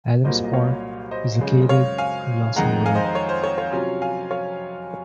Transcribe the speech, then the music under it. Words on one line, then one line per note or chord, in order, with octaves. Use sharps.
Adams Park is located on Lawson road.
C2 A#2 F#3 A#3 C5 D#5
D#5
C#5 F5
C5 D#5
F#2 C#3 G#3
C#5 F5
F5 G#5
F2 D#3 G#3 F#5 A#5
F5 G#5
C5 D#5
C5
C#5
C5
C#5
C#5 F5
C3 F#3 C#4 F4
F5 G#5
C#5 F5